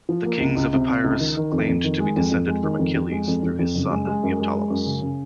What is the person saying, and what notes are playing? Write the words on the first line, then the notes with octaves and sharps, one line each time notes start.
The kings of Epirus claimed to be descended from Achilles through his son, Neoptolemus.
F3
A#3
C#2
C#2
C3
C3
C#2
D#3
D#3
F2
F2
D#3
G#3
F2
F2
G#3
D#3
F2
F2
G#3
F2
F2
F2
F#1
G#3
G#3
F#2
G#3
G#3
F#2
C#3
C#3